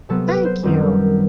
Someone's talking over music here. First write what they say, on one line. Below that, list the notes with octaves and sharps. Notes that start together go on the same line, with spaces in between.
Thank you!
C3 F#3 B3 A4
B4
C5
F#2 D#3 G3 C4